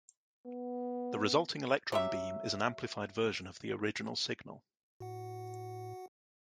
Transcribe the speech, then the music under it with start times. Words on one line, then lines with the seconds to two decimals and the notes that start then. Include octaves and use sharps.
The resulting electron beam is an amplified version of the original signal.
0.46 B3
1.92 F#3 G4 E5
5.00 A2 F#4 F#5